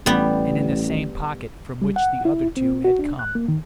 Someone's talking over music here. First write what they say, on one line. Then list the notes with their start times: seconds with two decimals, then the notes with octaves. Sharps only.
And in the same pocket from which the other two had come.
0.06 A1 G3 B3
1.82 G3
1.96 F#5
2.25 E4
2.57 C4
2.85 F#4
2.99 D4
3.19 F#6
3.35 A#3
3.48 D#3